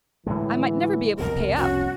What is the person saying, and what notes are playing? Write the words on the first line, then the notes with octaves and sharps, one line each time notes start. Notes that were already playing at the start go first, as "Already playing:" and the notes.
"I might never be able to pay up!"
A2 D3 E3 G#3
C2 F2 B2 A#4
C#4 F#4